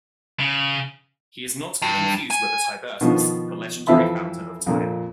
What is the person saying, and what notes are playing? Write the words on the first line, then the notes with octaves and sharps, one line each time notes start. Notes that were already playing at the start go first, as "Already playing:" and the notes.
He is not to be confused with a Tiburtus, the legendary founder of Tibur.
C#3
G2
G#5
B2 D#3 F3
F2 E3 C4 E5 A5 B5
F2 A#2